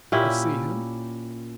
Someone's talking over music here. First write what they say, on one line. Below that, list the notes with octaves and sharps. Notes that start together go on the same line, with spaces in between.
I see him!'
A#2 C#4 E4 G4